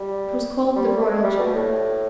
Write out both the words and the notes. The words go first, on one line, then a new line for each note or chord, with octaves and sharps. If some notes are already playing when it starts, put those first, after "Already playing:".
It was called the royal chair.
Already playing: G3
G3
A3
G3
B2
A2